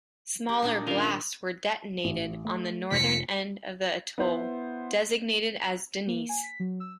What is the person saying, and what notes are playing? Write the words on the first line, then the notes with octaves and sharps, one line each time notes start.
Smaller blasts were detonated on the northern end of the atoll, designated as Denise.
G4 A#4
A#2 D4 D#4
D#3 C#4 F4 A#4 C5
A1
A3
F1 F4 A#6 B6 C#7
B3 E4 C5
A#3
G#5
B6
F#3
E6